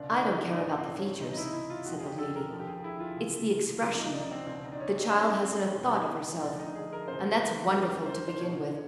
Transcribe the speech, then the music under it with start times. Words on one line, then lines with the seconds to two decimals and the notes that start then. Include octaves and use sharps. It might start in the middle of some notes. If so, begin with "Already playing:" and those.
"I don't care about the features," said the lady, "it's the expression; the child hasn't a thought of herself, and that's wonderful to begin with."
Already playing: C#2 B2 D4
0.12 D#4
0.23 D4
0.46 D#4
0.56 G#2 E3 D4
0.77 C4
0.99 C#4
1.20 C#2 C3 E3 D#4
1.32 D#4
1.37 E4
1.54 E4
1.70 F4
1.86 F2 D3 F3 F#4
1.99 G#4
2.03 G4
2.19 A4
2.36 A#4
2.51 D#2 D3 F3
2.59 G4
2.67 G#4
2.84 E4
3.00 F4
3.16 C#2 C3 E3
3.81 D#2 C#3 F3 F4
3.98 D#4
4.14 D4
4.31 C4
4.47 C#2 C4
4.51 B2
4.64 D#4
4.72 D4
4.80 C#4
4.96 C4
5.13 F#2 D#3 C4
5.45 C4
5.62 C#4
5.78 E2 B2
6.42 D2 D3 F3 D4
6.60 D#4
6.75 G#4
6.93 A#4
7.08 F#2 C#3 E3 C5
7.40 B4
7.73 F2 C#3 F3 A#4
8.06 C5
8.28 C5
8.39 E2 B2 C#5